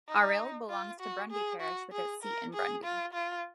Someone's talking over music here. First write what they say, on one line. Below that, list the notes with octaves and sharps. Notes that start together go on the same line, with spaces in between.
Arild belongs to Brunnby parish with its seat in Brunnby.
D#4
F4
F#4
G#4
F#4
G#4
A#4
G#4
F4
F4